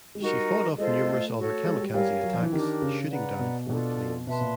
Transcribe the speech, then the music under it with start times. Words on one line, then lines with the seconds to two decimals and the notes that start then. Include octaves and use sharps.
She fought off numerous other kamikaze attacks, shooting down four planes.
0.15 G#3
0.20 G3 D#4 F#4 A#4
0.78 G#3 F4 A4 C5 D#5
1.07 A3
1.36 F#4 A4 C#5
1.65 G#3
1.80 G3
1.94 G3 A#4 C#5 F5 G#5
2.09 G3
2.23 F#3
2.34 F3
2.43 E3
2.52 D#3 D4 G4 A#4
2.82 C#3
3.10 B4 D5 F#5 A#5
3.39 B2
3.69 B2 D4 F4 A4 D5
4.27 B2 B4 E5 A5 C6
4.41 A#2